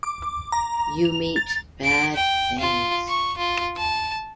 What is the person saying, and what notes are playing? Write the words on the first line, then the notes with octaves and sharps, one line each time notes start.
You meet bad things.
D6
A#5
F7
A6
D7
G5
F4
C#6
F4
A5